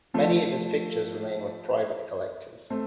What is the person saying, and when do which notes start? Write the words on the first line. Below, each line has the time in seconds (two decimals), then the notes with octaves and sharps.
Many of his pictures remain with private collectors.
0.14 F3 A3
2.70 A3 C4